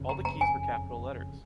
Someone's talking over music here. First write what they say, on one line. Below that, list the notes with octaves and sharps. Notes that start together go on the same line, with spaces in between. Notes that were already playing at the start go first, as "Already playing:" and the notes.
All the keys were capital letters.
Already playing: F#1 F2 C#3
A#5
A#5
G#5